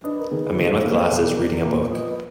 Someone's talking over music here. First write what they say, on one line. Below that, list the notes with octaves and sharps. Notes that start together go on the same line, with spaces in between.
A man with glasses reading a book.
D4 B4 D#5
A#4
D#3 G#4 B4
D#3 F4 G#4
A#3 G#4 B4
B2
A#4 D5
B2
A#2 A#4 D5
F3 B4 D#5